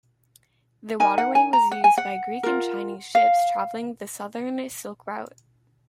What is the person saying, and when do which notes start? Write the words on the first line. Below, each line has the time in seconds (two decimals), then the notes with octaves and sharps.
The waterway was used by Greek and Chinese ships travelling the southern Silk Route.
1.00 D#4 A#4 G#5
1.18 F#5
1.35 G#5
1.53 A#5
1.72 F#5
1.84 G#5
1.98 F#5
2.43 F4 A#4
3.15 F5